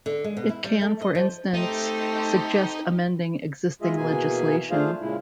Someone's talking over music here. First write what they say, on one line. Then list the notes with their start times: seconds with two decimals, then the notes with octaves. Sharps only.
It can for instance suggest amending existing legislation.
0.06 D3
0.24 G#3
0.37 B2
0.49 E4
0.64 G3
0.81 A3
1.01 D#5
1.15 F3
1.54 A3 C4 D#4 G4 A4 C6
3.82 G#3 F4 G#4 D#5 E5
3.96 B2 E3 A#3 G#4 G#5
4.71 A3 D4 F4 G#4 C5 F5
5.01 A#2 C#3 G#3 E4